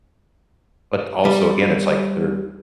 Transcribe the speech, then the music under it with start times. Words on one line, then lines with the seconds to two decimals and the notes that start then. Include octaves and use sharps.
but also, again, it's like there,
1.25 G3